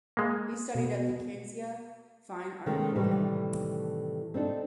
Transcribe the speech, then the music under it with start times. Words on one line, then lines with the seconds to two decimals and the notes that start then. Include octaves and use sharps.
He studied at the Kansai Fine Art Academy.
0.17 G#3 A#3
0.75 B2
2.66 C3 D#3 G#3 A3 C#4
2.95 A2 C3 D#3 E3 G3 A3
4.34 C4 D4 D#4 A4